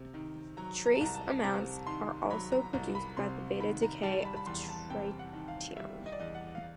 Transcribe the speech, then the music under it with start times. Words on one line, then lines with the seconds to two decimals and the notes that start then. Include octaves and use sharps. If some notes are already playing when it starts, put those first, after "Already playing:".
Trace amounts are also produced by the beta decay of tritium.
Already playing: C3
0.14 D#3
0.57 F#3 A#5
0.86 A#5
0.95 A5
1.01 C2 A#5
1.15 A5
1.44 C3 A#5
1.87 D#3 C6
2.30 F#3 B5
2.52 A#5
2.73 C2 A#5
2.95 B5
3.17 C3 C6
3.60 D#3 B5
3.82 A#5
4.03 G3 A5
4.25 B5
4.36 B5
4.46 E2 C6
4.69 A5
4.90 C3 G5
5.19 F#5
5.33 D#3
5.48 F5
5.76 G3 E5
6.06 D#5
6.12 D5
6.20 E2 D#5
6.35 F#5
6.55 F5